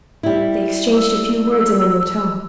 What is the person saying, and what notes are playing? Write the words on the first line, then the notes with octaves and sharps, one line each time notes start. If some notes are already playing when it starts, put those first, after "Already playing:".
They exchanged a few words in a low tone.
G3 E4
E6